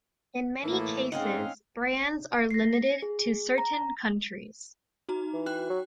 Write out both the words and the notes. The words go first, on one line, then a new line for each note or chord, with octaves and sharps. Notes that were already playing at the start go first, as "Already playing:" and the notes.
In many cases brands are limited to certain countries.
A2 E3 A#3
G#2 C4 C#4 D#4 D#5 F5 F#5
A#6 C7
G#4
A#5
D#4 F#4 A#5
E3
F#4 G5 F#6
F#3